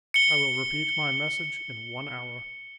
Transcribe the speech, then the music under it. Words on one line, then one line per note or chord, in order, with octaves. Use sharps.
I will repeat my message in one hour.
C#7 G7